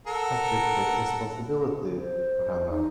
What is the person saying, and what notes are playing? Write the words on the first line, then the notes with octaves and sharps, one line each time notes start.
Patrick takes responsibility for Hana.
A4 A#4 F#5
C5
D#4